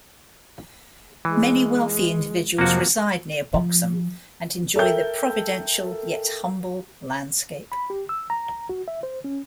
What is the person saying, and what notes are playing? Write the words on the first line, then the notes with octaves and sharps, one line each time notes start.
Many wealthy individuals reside near Boxholm, and enjoy the providential, yet humble landscape.
E3 G#3
F2 C3 F3 A#3 F#4
F3
A4 A#4 E5 G5 G6
B5
G4
E6
A#5
F#4
E5
C5
C#4